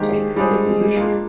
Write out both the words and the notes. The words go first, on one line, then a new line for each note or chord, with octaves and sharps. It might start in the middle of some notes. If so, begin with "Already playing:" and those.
Take the position'.
Already playing: D#3 G#3 A#3 D4 G4 C5
G3 G#3 D4 F4 G#4 C5
A#3 D4 F4